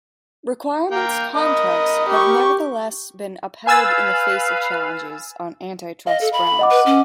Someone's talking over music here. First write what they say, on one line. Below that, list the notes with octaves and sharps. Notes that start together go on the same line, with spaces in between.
Requirements contracts have nevertheless been upheld in the face of challenges on antitrust grounds.
A#3 A#4 G5
A#4 D#5 B5 D#6
G4 C#6
B4 F5 G#5 E6 A6
D#5 F5
A4
B5
D#5 F#5 D6
B4
C#4